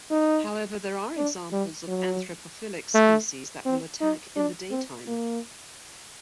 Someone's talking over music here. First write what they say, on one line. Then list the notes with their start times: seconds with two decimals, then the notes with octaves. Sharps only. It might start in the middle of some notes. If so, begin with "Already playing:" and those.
However, there are examples of anthropophillic species that will attack in the daytime.
0.11 D#4
1.17 D4
1.53 G3
1.88 F#3
2.95 A3
3.65 C4
4.01 D#4
4.36 D4
4.71 C4
5.08 A#3